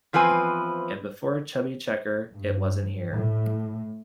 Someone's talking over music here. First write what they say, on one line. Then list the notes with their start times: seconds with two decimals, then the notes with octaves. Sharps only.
And before Chubby Checker, it wasn't here.
0.13 E2 F3 C4 B4 G#5
2.33 G2
3.13 A2